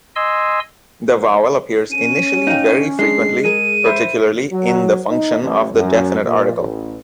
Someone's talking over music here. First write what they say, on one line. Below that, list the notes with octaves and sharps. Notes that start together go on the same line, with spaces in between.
The vowel appears initially very frequently, particularly in the function of the definite article.
D#5 G#5 C6 E6
C#4 D#7
D#4 F5 G5
G#3 D4 C7
G#4 A#4 D#7
C5 E5 B5
F#3
D#4
A1
F#2
A#2
A1